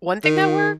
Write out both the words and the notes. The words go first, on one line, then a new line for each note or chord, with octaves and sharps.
One thing that worked
D#3